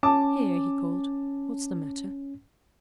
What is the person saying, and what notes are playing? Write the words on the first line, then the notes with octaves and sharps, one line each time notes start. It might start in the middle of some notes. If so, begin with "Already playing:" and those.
"Here," he called, "what's the matter?"
C#4 A5 D6